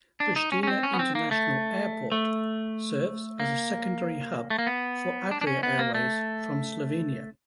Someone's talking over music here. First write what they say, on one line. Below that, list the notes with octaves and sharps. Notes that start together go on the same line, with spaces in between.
Prishtina International Airport serves as a secondary hub for Adria Airways from Slovenia.
D4
D#4
C#4
C#4
C4
C#4
B3
C4
A#3
A3
A3
A#3
A3
A#3
B3
D4
D4
C#4
B3
A#3
A3